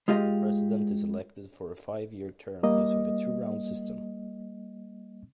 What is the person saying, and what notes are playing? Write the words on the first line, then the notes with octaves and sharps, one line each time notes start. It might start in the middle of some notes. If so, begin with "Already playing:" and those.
The President is elected for a five-year term using the two-round system.
G#3 F4 G4 D#5
G3 A#3 D#5